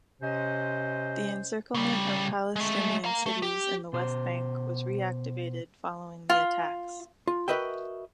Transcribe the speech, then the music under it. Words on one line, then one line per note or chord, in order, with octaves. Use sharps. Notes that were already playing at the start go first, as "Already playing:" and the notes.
The encirclement of Palestinian cities in the West Bank was reactivated following the attacks.
C3 C#4 C5 D#5
C#3 G3
G#3 A3
F5 A#5
A3
G4
B2 C5
F4
F4
F#4 A#4 B4 D#5 E5 G5